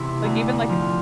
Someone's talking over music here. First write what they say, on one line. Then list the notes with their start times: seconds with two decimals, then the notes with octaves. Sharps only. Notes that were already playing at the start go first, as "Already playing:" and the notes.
Like, even, like,
Already playing: E2 C3 E4
0.24 D2
0.69 F3